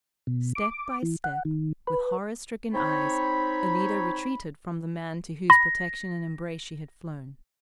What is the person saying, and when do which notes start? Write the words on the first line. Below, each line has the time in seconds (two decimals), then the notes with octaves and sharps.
Step by step, with horror-stricken eyes, Alida retreated from the man to whose protection and embrace she had flown.
0.27 B2
0.55 D6
1.03 E3
1.24 F#5
1.45 D#3
1.87 B4
2.74 C4 D#4 C#5 B5
5.50 B5 A#6